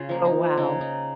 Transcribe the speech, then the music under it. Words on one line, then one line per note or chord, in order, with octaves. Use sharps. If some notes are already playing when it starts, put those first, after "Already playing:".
Oh, wow.
Already playing: C#3 F4
F3 A#3
D#4
C#3 D#4
D#4